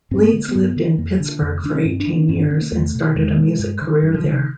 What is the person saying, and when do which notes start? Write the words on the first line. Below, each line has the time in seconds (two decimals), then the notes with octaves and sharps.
Leeds lived in Pittsburgh for eighteen years and started a music career there.
0.11 G2 C4
0.23 B3
0.33 D3 A#3
0.49 B3
0.55 G2
0.76 D3
0.98 F2 A#3
1.20 D3
1.42 F2
1.64 D3 D4
1.75 C#4
1.85 G2 C4
2.00 D4
2.07 D3
2.14 D4
2.29 G2 C#4
2.40 D4
2.51 D3 C#4
2.62 A#3
2.72 E2 A3
2.95 B2
3.15 E2 G#3
3.38 B2
3.59 G2
3.81 D3
4.03 G2
4.14 F3
4.25 D3 D#3
4.36 D#3